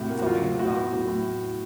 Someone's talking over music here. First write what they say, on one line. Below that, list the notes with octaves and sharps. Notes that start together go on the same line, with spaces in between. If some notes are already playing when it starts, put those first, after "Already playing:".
Sobbing in the dark hall.
Already playing: A2 C3 F#4
A#3
F#4
F#3 F4
A2
A2 F#4
B3
F#3
A2